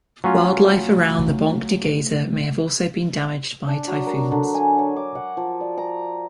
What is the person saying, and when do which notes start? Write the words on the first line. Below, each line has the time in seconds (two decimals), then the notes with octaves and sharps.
Wildlife around the Banc du Geyser may also have been damaged by typhoons.
0.24 F#3 A3 C#4 F4
3.67 D4
3.87 F#3
4.07 A#4
4.32 D3
4.54 G#5
4.79 C#5
4.96 D6
5.15 F#5
5.37 F3
5.61 D5
5.78 A#5